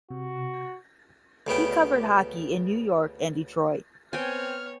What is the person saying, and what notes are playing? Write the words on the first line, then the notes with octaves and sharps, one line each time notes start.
He covered hockey in New York and Detroit.
C3 F#4
D2 C#3 B3 G5
B3 C4 C#5 G5 G#5 F6